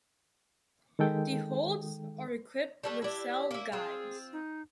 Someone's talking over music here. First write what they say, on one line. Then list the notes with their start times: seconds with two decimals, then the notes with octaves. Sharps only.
The holds are equipped with cell guides.
0.99 D#3 G#3 A4 G5
2.84 G3 A3 D4
3.02 D4 E4 G4
3.51 A#3 E4
3.72 C4 F4 G#4
4.33 D#4